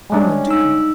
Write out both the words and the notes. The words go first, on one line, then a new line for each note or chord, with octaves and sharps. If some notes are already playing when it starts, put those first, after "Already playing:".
Almond Cream.
G3 G#3 C#4 D4
D#4 E6